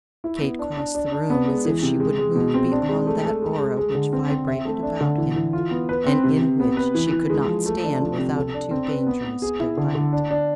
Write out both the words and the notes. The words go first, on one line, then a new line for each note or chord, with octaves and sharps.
Kate crossed the room as if she would move beyond that aura which vibrated about him and in which she could not stand without a too dangerous delight.
E4
B3
D4
D4
D4
D4
B3
G#3
E3
C3
G#3
G#3
B2
C4
D4
G#3
A3
A4
G#3
G#3
G#3
D3
C4
C4
E5
A3
D4
D3
E3
E3
F4
B3
B4
C4
C3
C3
B3
B4
E3
E3
G#3
F3
A3
D4
F3
C3
A4
D4
C4
B4
B3
B3
G#4
E4
D3
D3
D4
D4